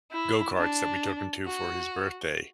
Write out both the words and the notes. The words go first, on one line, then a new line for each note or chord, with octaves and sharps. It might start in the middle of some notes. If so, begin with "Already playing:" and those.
go-karts that we took him to for his birthday.
E4
D4
F#4